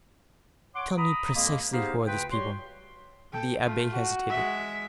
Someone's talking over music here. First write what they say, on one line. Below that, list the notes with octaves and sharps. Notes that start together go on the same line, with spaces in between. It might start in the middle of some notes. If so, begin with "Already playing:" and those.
"Tell me precisely who are these people." The abbe hesitated.
C#5 F#5 C6 D6
A#5 B5 D#6
F2 B2 G#3 A#3
B3 D#4 G4 G#4 C5 F5
D2 C#3 F4 B4 G5
G3 F#4 G4 C#5 C6
A4 G5
A3 F4
F#4
G#3 E5